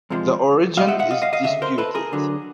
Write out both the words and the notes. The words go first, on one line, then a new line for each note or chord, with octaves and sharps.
The origin is disputed.
E2 C3 F3 G#3
B1 B2 G#3 D#5 F5
E5 F#5
E5 F#5
D#5 F5
D#5 F5
D#5 F5
D2 C#3 E5
A#4 C5
A4 B4
G#4 A#4
D2 D3 F#3